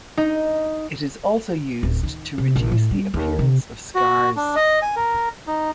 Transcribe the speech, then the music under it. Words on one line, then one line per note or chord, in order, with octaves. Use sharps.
It is also used to reduce the appearance of scars.
D#4
D1
D#3
C3
A#1
A2
G3
D#2
C3
F#4
D4
D#5
G#5
A#4
D#4